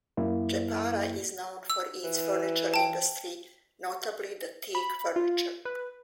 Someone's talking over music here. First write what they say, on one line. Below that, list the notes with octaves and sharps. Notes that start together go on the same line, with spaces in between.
Jepara is known for its furniture industry, notably the teak furniture.
F#2 A#3 E4
E6
E3
G5 A5
B5
F4
B4